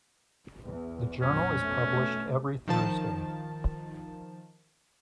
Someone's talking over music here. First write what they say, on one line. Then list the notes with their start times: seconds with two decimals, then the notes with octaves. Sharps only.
The journal is published every Thursday.
0.65 E2
1.22 F2 A#2 F#3 C#4
1.60 B2 A3
2.68 D#3 F3 A5